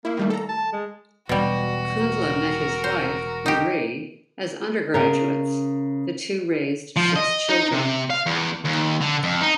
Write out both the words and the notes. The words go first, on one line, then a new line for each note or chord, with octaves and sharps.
Kundla met his wife, Marie, as undergraduates; the two raised six children.
A#3 E4
D#3 G3 A3
A4 A#5
A5
G#3
E1 B2 G3 F#4
A#4
C5
D#4 G4
C#3 A#4
F3
D#5
D#4
C3
F5
E2
D#2
D3
F2
D#4